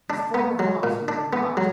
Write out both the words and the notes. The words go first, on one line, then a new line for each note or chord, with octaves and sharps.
His former haunts knew him not.
D4
B3
F#3
A#2
D4
B3
F#3